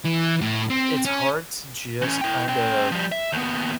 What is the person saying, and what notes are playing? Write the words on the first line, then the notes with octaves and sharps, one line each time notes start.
it's hard to just kind of
E3
A2
C4
C#4
E3 C#4
E4 G5
C#4 G5
F3 G3
E5
D#2 B3